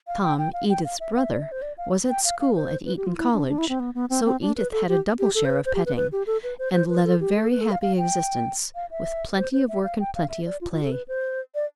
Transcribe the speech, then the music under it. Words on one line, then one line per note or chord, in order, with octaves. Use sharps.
Tom, Edith's brother, was at school at Eton College, so Edith had a double share of petting, and led a very happy existence with plenty of work and plenty of play.
F5
G5
G5
F5
G5
F5
E5
F5
E5
D5
E5
C5
D5
F5
G5
F5
F5
C5
B4
G4
F4
E4
D4
D4
E4
C4
B3
B3
C4
C4
D4
B4
A4
G4
G4
A4
C5
B4
C5
G4
B4
B4
G4
A4
B4
C5
C5
B4
A4
G4
A4
B4
A4
F5
F5
G5
F5
E5
C5
C5
E5
F5
G5
F5
E5
D5
F4
F4
A4
B4
C5
D5